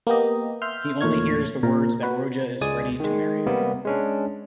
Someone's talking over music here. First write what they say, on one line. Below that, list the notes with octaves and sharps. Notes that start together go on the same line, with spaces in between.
He only hears the words that Roja is ready to marry him.
A#3 B3 G4 D#5
E5 C6 F6 G6
E2 A#2 A3 C#5 F6 G#6
A#2 A#4
F#4 B4
C#2 G#3 D5 G#5 D#6
D#3 G#3
C3 G3 A#3 B3
G#3 C#4 D4